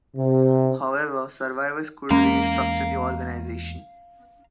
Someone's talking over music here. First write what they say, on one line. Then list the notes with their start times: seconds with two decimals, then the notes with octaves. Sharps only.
However, survivors could restructure the organization.
0.17 C3
2.11 E2 G#3 A#3 C#4 F5 A#5